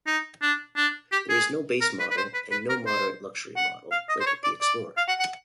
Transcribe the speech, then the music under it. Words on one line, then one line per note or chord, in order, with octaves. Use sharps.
There is no base model and no moderate luxury model, like with the Explorer.
D#4
D4
D4
G4
G#4
A#4
B4
B4
C5
B4
B4
A#4
C5
F#5
F5
D#5
C5
C#5
D5
D5
F5
F#5
F#5